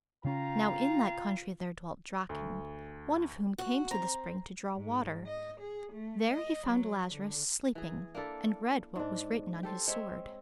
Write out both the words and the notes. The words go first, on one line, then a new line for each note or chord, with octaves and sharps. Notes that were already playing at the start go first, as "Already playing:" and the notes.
Now in that country there dwelt Draken, one of whom came to the spring to draw water; there he found Lazarus sleeping, and read what was written on his sword.
C#3 C#4 F4 G5 A#5
D2
F#4
C4 A#5
G#2
D#5
G#4
A3
D#5
F#3
D3
E3 G#4
A#3 D4 E4 A4
G#2 D4
G4 A4 C5
G#3 C4 C#5 E5